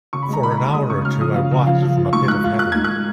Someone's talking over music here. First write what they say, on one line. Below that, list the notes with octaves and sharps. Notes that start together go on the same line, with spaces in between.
For an hour or two I watched it from a pit of heather.
C#3 C#6
B5
G#3 A#5
D#4 B5
A#5
D#2 B5
G#3 D#6
C#3 C#6
C#3 F6
F3 D#6
C#3 F5
C#3
F3 F5
F3
F4
G#2 C#6
G#2 F#6
F4
F4 F#6
G#2 G#6
F#6